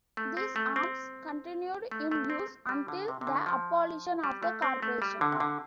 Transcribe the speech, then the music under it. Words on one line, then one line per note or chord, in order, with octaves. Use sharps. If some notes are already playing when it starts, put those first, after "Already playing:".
These arms continued in use until the abolition of the corporation.
A3
C4
A3
C4
A3
A3
C4
G3
D3
C3
C3
D3
F3
G3
A3
C4
A3
G3
D3
C3
D3